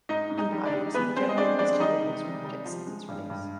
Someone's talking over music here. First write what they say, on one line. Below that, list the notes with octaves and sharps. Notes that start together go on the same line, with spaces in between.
"Empire" has received generally positive reviews from critics since its release.
G#2 D#4 D#5
G#2
D#4 D#5
G3
D4 D5
G3
G#3 B3 B4
G#3 C4 C5
D#5
G#3 D4 D5
G#3 D4 D5
G3 D#4 D#5
C3
C3
G3
F3
G#3
G2
G2